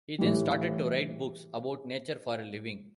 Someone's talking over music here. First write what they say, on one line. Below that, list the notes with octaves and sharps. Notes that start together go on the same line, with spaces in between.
He then started to write books about nature for a living.
A2 E3 G3